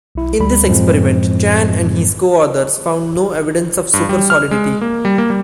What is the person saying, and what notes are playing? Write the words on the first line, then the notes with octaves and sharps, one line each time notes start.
In this experiment, Chan and his coauthors found no evidence of supersolidity.
B1 E4
D2 G3 B5
F#2 A2 F3 G#3 C4
G2
G3
F6
G#3
A#3
G3
A#3
G3